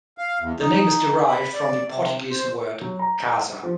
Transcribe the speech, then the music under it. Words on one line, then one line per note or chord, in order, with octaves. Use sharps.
The name is derived from the Portuguese word "casa".
F5
E2
D#4
B5
D5
C3
C5
F#3
A#5
F#5
F3